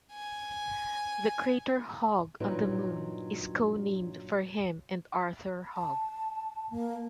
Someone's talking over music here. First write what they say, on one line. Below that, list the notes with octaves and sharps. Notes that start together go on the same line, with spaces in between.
The crater Hogg on the Moon is co-named for him and Arthur Hogg.
G#5
G2 A#2 F#3 D4 D#4 B4
A5
A#3